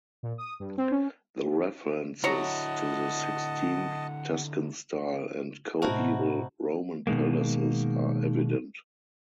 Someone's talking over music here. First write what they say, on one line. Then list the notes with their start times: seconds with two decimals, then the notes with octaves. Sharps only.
The references to sixteenth Tuscan style and coeval roman palaces are evident.
0.23 A#2
0.38 D#6
0.60 G2
0.78 C4
0.91 C#4
2.24 D3 F#3 E4 C#5 D#5 F#5 A5 A#5
5.82 A2 C3 D#4 E4 F#4 C5 A5
7.07 B2 D#3 G#3 A#3